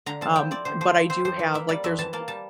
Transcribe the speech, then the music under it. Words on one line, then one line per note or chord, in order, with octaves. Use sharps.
um, but I do have like, there's o
D3 A#5
F3 A5
E4 G5
C4 D5
D3 C5
F3 C5
E4
C4 C5
F2 C5
E3
A#3 E5
G3 D5
F2 E5
E3 A5
A#3 A5
G3 A5